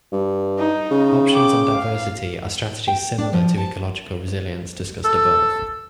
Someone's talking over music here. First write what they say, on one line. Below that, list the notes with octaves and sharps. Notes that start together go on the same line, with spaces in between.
Options and diversity are strategies similar to ecological resilience discussed above.
G2
D#4
C#3
G5 D6
F5
G5
D4
F3
A5
A4